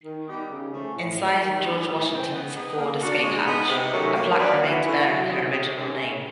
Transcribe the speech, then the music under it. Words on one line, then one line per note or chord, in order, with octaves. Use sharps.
Inside "George Washington"'s forward escape hatch, a plaque remained bearing her original name.
D#3
G3 B3 D#4 G4
C#3
F3 A3 C#4
A2
F3 G#3
D#3
F#3 B3 D#4 G#4
A2
E3 G#3 C4
B3
D#4 G#4
A#3
D4 F#4
G#3
B3 D#4
C3
D#3 F#3 A3 C#4
A#3
D4 F#4 B4 D5
E3
A3 C#4 E4
F#3
A3 C4 D#4 G#4
C3
D#3 G#3 C#4
C#3